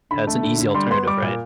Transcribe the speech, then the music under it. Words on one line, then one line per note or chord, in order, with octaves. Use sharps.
yeah, it's an easy alternative, right?
D3 B5
A3
D3
D3
G3 C6
B3 C6
G3 D6
A#2